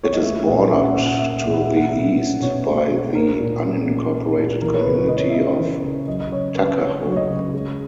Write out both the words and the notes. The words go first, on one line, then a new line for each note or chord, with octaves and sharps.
It is bordered to the east by the unincorporated community of Tuckahoe.
C#5
D#5
A#3 E5
A#2 D#5
C#4 E5
F#5
A#2 E5
F#5
A#3 E5
F#5
A#2 E5
F#5
G#3 E5
F#5
B2 E5
C#4
B2 C#5
G#3
B2
A#3 A#4
A#2
C#4
A#2
A#3
A#2
E3 A#4
C#5
B4
C#3
B4
G#3 D#5
C#5
E5
C#4 D#5
E3
C#3
F#3 D#5
D#5
C#3 C#5
C#4 B4
C#3 C#5
F#3
C#5
D#5
C#3
G#3